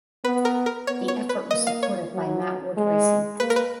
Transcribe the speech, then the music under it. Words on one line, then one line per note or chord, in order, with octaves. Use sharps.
The effort was supported by Matt Wood Racing.
B3 B4
A#4
A#4
B3 C#5
C#5
B4
A#3 D#5
F5
C#5
F#3
G#3
A#3 B4
A#4
B4